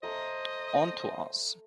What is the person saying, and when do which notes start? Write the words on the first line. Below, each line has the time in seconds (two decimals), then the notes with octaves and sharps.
On to us.
0.03 A3 C5 D#5 A#5